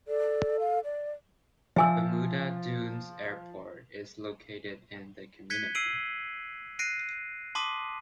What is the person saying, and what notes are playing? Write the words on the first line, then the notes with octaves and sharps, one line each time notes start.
Bermuda Dunes Airport is located in the community.
A4 D5
F5
D5
F3 E5 G#5 E6
F#6 G#6 B6 C#7 D#7 G7
E6 C7 D7 D#7 F#7
F#6 A#6 C7 D7 D#7
A5 C6 D6 D#6 B6 D#7